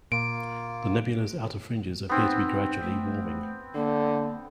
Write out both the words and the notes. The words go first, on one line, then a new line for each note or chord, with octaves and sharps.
The nebula's outer fringes appear to be gradually warming.
A#2 A#3 F4 D7
B3 C4 D#4
A3
D3 A#3